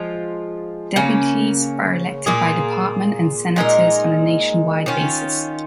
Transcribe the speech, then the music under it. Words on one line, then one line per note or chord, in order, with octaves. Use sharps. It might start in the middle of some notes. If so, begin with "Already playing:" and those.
Deputies are elected by department and Senators on a nationwide basis.
Already playing: F3 G#3 F4
C#3 A#3 C#4
A#2 A#3 F4 G#4
A#2 G#3 D#4 A#4
D#3 C#4 F4